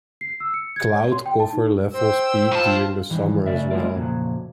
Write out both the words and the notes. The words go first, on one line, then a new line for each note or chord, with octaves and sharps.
Cloud cover levels peak during the summer as well.
C7
E6
C#7
G#6
C#5
C6
G5
A5
D#4
C5 G5 E6
A2 F4 A5
E2 G#2 D#3 E3 G3
C#3 A3 D5 E5
G3 A3 C#4 F4 A#4 D5
F2 A#2 C#3 F#3